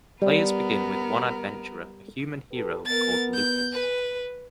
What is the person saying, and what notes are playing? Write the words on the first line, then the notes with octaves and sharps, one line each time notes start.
Players begin with one adventurer, a human hero called Lukas.
G3 B3 A#4
G4 A4 B4
B3 A#4 A6
G6
B4